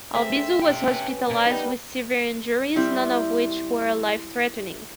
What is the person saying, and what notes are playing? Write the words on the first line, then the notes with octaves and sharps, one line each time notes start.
Albizu was hospitalized with severe injuries, none of which were life-threatening.
A3 C4 G#4 E5
G4 E5 F5 G5
C#4 B4
B2 D5
G3 B3 D#4 E5
G3 C4 E4 E5